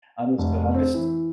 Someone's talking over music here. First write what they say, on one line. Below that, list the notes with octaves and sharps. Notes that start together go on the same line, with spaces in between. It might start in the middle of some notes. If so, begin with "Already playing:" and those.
Understood, I'm just
F1
C4
E3